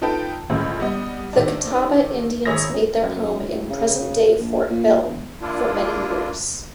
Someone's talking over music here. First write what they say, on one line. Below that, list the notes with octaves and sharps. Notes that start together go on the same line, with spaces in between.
The Catawba Indians made their home in present-day Fort Mill for many years.
D#4 F4 A4 B4 G5 A5
G1 C#2 A2 C#3
G3 B3 D#5
C3 D#3 D4
G#1 G#4 C#5 E5 D#6 A#6
F#2
A2
C#3
A#1
A#2
E1
A#3 D4 E4 F4